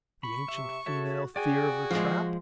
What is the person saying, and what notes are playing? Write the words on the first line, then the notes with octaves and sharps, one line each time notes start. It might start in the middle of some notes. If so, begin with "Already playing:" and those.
The ancient female fear of the trap?
B5 C#6
C3 E5
F#4 A4 C#5 E5
F#4 G#4 D5 G5 G#5
F3 G#3